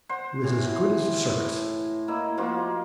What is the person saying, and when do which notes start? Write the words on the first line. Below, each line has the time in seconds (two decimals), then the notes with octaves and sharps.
It was as good as a circus!
0.09 C5 F#5
0.44 A2 E3
1.29 A2
2.08 A#3 E4 D#5
2.37 F3 A#3 F4 F#4